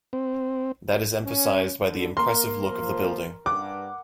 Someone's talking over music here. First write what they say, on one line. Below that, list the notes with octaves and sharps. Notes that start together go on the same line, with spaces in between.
That is emphasized by the impressive look of the building.
C4
C#4
D3
A#3 A#4 C6
F3 A#3
G2 F#5 D6